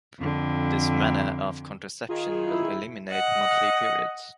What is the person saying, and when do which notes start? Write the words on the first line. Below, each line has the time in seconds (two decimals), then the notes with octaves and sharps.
This manner of contraception will eliminate monthly periods.
0.19 F2 D3
2.09 D#3 F4 G#4
2.45 E4
3.10 D#5 F#5